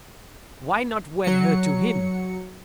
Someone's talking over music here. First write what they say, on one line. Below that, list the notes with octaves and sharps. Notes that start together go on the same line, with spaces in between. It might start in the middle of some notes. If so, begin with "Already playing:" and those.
Why not wed her to him?
F#3 C#7